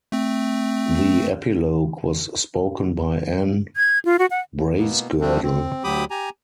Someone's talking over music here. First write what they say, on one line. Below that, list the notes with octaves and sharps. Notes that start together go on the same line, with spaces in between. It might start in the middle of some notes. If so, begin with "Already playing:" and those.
The epilogue was spoken by Anne Bracegirdle.
A3 C4
G#6
F4
F#4
F#5
B2 A#3 B3
D3 F3 G3 A3 C4 D4
C4
D2 F#3 G4 B5 D6 D#6
G4 G#5 A#5